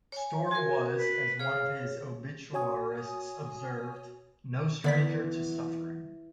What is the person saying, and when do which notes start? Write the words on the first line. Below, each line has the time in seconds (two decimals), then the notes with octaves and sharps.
Storr was, as one of his obituarists observed, "no stranger to suffering".
0.12 C#5 G#5
0.51 F#4 A#4 G#5
0.97 B4
1.40 G#4 C#5 F5
2.53 F#4 C#5 G#5 D#6
4.84 E2 D3 E3 A#3 D5 B5 B6